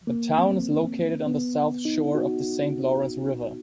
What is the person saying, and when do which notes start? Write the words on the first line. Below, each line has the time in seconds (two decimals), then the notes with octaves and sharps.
The town is located on the south shore of the Saint Lawrence River.
0.07 A#3
0.38 C4
1.26 B3
1.85 D#4
2.15 F#4